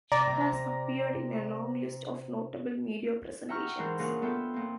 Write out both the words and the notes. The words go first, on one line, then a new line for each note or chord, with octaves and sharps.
She has appeared in a long list of notable media presentations.
C3 D5 A#5
E5 F#5 G5 A#5 C#6 F6
G#2 E3 A#4 C5 F#6
A#2 C#3 D4 A#4 F#5 F#6
B3 F4 A4 E5 G5
A#2 C4